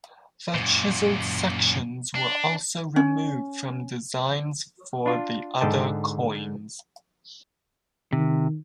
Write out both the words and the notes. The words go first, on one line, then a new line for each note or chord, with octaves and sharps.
The chiseled sections were also removed from designs for the other coins.
F#2 A#2
D4
C#4
D4 F4
G#2 D3 D#5 G5 A5
C3 D#3